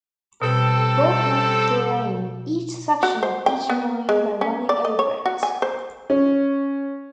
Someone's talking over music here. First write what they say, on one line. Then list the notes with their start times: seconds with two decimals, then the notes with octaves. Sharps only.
Bob must claim each section of each mine by running over it.
0.42 B2 G3 C4 A4
3.03 F#4
3.23 C5
3.46 G5
3.70 B3
4.09 G#3
4.41 C#4
4.69 D5
4.85 D#5
4.99 C#5
5.26 F#4
5.43 G#5
5.62 C5
6.10 C#4